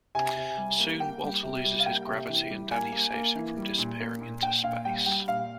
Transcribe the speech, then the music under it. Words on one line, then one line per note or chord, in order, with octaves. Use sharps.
Soon, Walter loses his gravity and Danny saves him from disappearing into space.
C3 G#5
C3
G3
A#3
A#3 G5
G3
C3
G3
F5
A#3 G5
C3
E3
G3
A#3 G#5
A#3
A#3
E3
G3
A#2
A#3
A#2
A#2 G5
A#2 F5
G3 G5
G3 G5
A#2 F5